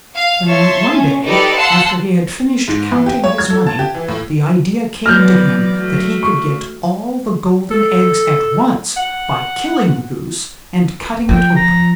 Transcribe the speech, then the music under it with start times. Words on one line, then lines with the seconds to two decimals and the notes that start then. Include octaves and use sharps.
Then one day, after he had finished counting his money, the idea came to him that he could get all the golden eggs at once by killing the Goose and cutting it open.
0.15 F5
0.47 C#5 E5 A5 C6
0.92 C#4
1.25 D#4 G4 A4 B4 D5
1.57 F5 F#5 A5 C6 E6
2.68 G#2
2.91 E3
3.06 G4
3.24 C#5
3.38 G#6
3.50 A4
3.67 A5
3.79 G4
3.94 E3
4.08 A2
5.06 E3 F#3 B3 D5 F6 G6 A#6
5.75 A3 F#4
6.23 C#6
7.71 A4
8.97 F#5
11.29 F3 G5
11.56 A#5